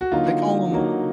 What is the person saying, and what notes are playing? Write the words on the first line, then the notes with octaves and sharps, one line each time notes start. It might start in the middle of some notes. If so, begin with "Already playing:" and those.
they call 'em, uh
F#4
D3 F#3 A#3 D#4 F4
D3 F#3 A#3 D#4